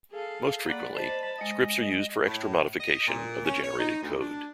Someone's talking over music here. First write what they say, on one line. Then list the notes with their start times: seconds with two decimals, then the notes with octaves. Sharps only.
Most frequently scripts are used for extra modification of the generated code.
0.11 G#4 A4 F5
0.65 A#3 D5 F#5 B5
0.95 C5 D#5 A5 B5
1.38 G#3 D#5 D#6
2.26 A2
2.80 D#5
3.07 A#2
3.45 C#4
3.63 C#5
3.78 D#4
4.02 D2
4.21 D4